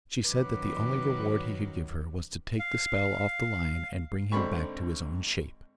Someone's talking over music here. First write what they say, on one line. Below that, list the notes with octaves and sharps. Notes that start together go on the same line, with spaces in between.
And she said that the only reward he could give her was to take the spell off the lion and bring him back to his own shape.
F#2 D#3 F#3 B4 D6
F5
G#1 D3 C4 D4 B5 C#6